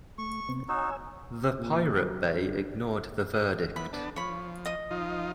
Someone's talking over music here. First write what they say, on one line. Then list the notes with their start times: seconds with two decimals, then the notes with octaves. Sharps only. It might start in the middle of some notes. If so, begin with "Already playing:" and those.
The Pirate Bay ignored the verdict.
0.18 A3 C#6
0.49 C3 B3 C4
0.69 D#4 F#4 C#5 G#5 E6
1.59 A#2
1.97 F#3
2.35 G2
3.76 E3 B3 B5
3.93 B3 D4 A5
4.16 F3 C#5 B5
4.65 D#5 D#6
4.91 F3 D#4 F4